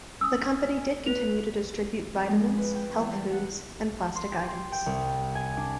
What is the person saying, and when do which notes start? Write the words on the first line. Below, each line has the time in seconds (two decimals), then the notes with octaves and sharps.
The company did continue to distribute vitamins, health foods, and plastic items.
0.21 C#4 D#6 E6
1.06 B4 F7
2.14 F2
2.28 G#3
2.58 B4
2.75 G5
2.99 E2
3.13 G3
3.32 F#5
4.16 C6
4.32 G4
4.48 C6
4.72 G5
4.86 C2
5.35 G#5
5.57 D4